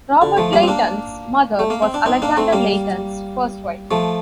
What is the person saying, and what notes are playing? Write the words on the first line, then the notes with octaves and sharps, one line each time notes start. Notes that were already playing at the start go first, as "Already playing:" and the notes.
Robert Leighton's mother was Alexander Leighton's first wife.
D3
F3 A3
G3 A#3
C4
A#3 D4
A3
A#3
C4
D4
C4 D#4
A#3 D4
A3 C4
G3 A#3
F3 A3